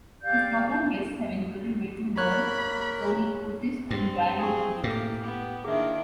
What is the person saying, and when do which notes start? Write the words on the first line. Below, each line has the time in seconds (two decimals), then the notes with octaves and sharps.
His program guests have included Milton Berle, Tony Curtis, and Bryant Gumbel.
0.22 G4 D5 F5 G6
2.18 A#3 A#4 C#5 B5 F#6
3.91 G2 C4
4.39 G4 G#4 G5
4.84 A2 A#3 G4 C5
5.24 B3 G4
5.64 D#3 A#3 D4 E4 G#4 E5